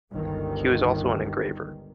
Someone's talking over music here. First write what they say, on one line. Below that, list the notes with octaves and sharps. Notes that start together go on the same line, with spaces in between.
He was also an engraver.
G1 C#2 D3 D#3